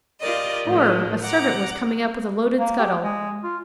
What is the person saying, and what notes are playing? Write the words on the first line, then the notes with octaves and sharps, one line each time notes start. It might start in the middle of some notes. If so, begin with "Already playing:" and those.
Horror! a servant was coming up with a loaded scuttle.
F4 G4 A#4 D5 D#5
A2 D#3 F3 G#3
F#5 A#5 D6
A#3
G4
G#3
F4